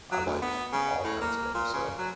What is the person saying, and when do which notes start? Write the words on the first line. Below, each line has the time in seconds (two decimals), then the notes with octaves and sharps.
I like all kinds of 'em, so,
0.12 F#3
0.26 D2
0.42 B3
0.72 C#3
1.05 A2
1.21 A#3
1.54 A#2
1.73 C#3
1.98 F#3